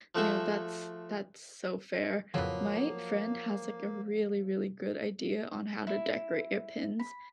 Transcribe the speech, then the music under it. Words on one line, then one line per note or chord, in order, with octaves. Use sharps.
No, that's that's so fair. My friend has like a really, really good idea on how to decorate your pins
F3 A3 F#4 G#4 A4
F2 A2 C#3 F3 F#3 A#3 B4
E4
B5